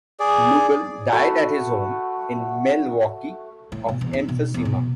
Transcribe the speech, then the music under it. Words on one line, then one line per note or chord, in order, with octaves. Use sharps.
Lubell died at his home in Milwaukee of emphysema.
G#4 D5
A3 F#4 B5
A2
B2
E2
D#4
B2
E2
B2